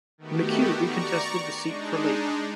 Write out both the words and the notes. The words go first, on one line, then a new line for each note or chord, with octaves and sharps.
McKew recontested the seat for Labor.
D#3 A3 B3 F#4 G4
D5 A#5 C#6
G#3 D4 D#4